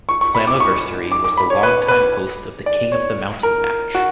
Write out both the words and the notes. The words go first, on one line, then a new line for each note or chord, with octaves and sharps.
Slammiversary was the longtime host of the King of the Mountain match.
C#6
C#6
B5
D6
C#6
D6
D6
B5
C#5
B4
B4
D5
C#5
A#4
F#4